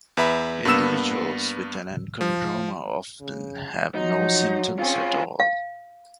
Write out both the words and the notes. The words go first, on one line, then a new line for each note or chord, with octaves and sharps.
Individuals with an enchondroma often have no symptoms at all.
E2 B4 E5 B5
G2 A#3 B3 E6 E7
F3
C#3
F3 F#3 D#4
C4 C#4 F4 G#4
F5